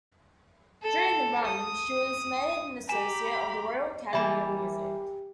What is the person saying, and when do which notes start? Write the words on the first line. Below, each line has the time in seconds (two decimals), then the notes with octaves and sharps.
During the run, she was made an Associate of the Royal Academy of Music.
0.83 A4
1.45 D#6
2.89 G4 G#5 A#5 B5 E7
4.13 E3 G3 A#3 G4 E5 G#5 B5